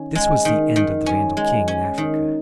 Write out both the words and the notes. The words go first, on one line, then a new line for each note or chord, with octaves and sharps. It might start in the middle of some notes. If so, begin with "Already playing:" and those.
This was the end of the Vandal king in Africa.
Already playing: D#3 C#4
G#3
D#3
D#3
C#4
G#3
C#4
D#3